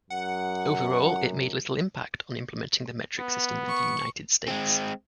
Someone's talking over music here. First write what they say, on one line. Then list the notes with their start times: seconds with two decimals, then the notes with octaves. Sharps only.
Overall, it made little impact on implementing the metric system in the United States.
0.10 F#2 F#5
3.19 B3
3.68 C#6
4.48 G#3 C4